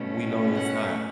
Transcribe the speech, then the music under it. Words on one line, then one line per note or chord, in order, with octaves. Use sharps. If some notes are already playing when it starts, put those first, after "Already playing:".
We know it's not
Already playing: B2 A3 C#4
F#5